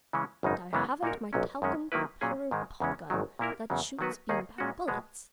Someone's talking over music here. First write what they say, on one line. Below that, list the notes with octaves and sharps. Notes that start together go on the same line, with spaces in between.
And I haven't my talcum powder pop gun that shoots bean-bag bullets!
C#3 E3 G#3 C#4
G#1 F#2 C#3 G#3 D#4
F#2 C#3 E3 G#3 B3
A#2 A#3 D#4 F#4 A#4
B1 A#2 F#3 C#4
F#2 D#3 G#3 C#4
D#3 F#3 A#3 E4 B4
A#2 F#3 C#4 G#4
G#2 D#3 G#3
E2 C#3 E3 G#3 C#4
G#1 G#2 D#3 F#3
A#2 A#3 E4 A#4
E2 C#3 F#3
D#3 F#3 B3 F#4 B4
D#2 D#3 A#3 D#4 G#4
A#2 G#3 C#4 F#4
B2 G#3 B3